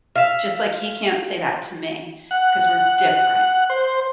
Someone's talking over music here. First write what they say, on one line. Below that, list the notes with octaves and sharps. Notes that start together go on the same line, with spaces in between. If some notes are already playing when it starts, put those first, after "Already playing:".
Just like he can't say that to me 'cause we're different.
E5 F5
F#5
C5